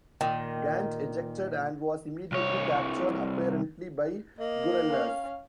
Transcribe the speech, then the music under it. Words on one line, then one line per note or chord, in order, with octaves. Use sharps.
Gant ejected and was immediately captured, apparently by guerrillas.
A#2 D#3
C2 C#5
A#3 D#5
C#4 F5